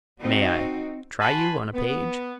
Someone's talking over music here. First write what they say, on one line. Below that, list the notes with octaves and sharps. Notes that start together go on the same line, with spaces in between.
"May I try you on a page?"
C4 D#4 F#4
F#4 G#5 A5 B5 C6
B3